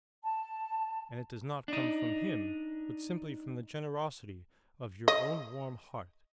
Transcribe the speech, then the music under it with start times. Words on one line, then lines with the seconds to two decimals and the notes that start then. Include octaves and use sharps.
And it does not come from him but simply from the generosity of your own warm heart.
0.23 A5
1.68 D4 D#4
5.08 D#5